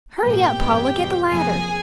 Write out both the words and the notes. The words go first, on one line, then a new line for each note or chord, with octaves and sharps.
Hurry up, Paula, get the ladder.
A#1 G#2 F3 A#3 G4 G5
A1 G2 E3 G#3 B3
E2 B2 F#3
F2 C3 F3 A#3 G#4 G#5